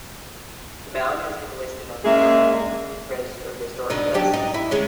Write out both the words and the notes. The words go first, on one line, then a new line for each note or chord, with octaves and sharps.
The Mound has been listed on the National Register of Historic Places.
G#3 A#3 C#4 G#4 E5
B2 D3 D#4
F#3 D4 G4
D#4
E4
D#3 G#3 C#4